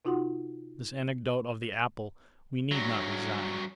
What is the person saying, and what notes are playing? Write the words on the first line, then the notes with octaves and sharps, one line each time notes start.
This anecdote of the apple we need not resign.
C3 D#4 F4 F#4 F#5 C6
G2 F#3